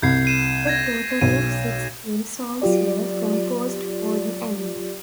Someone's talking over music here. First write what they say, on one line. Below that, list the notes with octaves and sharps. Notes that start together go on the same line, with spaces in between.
A total of six theme songs were composed for the anime.
C2 G6 G#6 C7
C7 D#7 E7
G#6 A#6
B1 D#7
F#3 F4 G4 D5